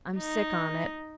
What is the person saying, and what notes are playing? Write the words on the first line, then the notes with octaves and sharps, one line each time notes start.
'I'm sick on it.
D#4